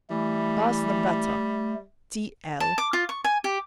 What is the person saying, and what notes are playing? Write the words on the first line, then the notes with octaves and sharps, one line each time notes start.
Pass the butter. T.l.
E3 G3 A3
A5
D6
F4
C#6
G#5
G4